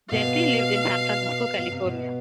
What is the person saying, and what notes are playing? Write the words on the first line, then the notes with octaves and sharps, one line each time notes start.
Gentry lived in San Francisco, California.
B2 F5
B2
C3
B2